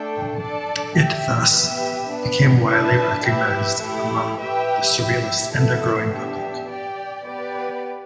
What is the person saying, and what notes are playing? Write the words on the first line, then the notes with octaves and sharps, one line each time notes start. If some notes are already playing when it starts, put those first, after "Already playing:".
It thus became widely recognized among the Surrealists and their growing public.
Already playing: A3 D4 A4 G5
D4 A4 D5 A5
G4 E5 G5
B3 G4 B4 E5
B3 D4 B4
D4 B4 E5 A5
E4 G4 B4 E5
A3 E4 G4
G4 B4 E5 G5
E4 G4 E5
B3 E4 A4 E5
B3 D4 G4 E5
G4 D5 G5
B3 G4 B4 D5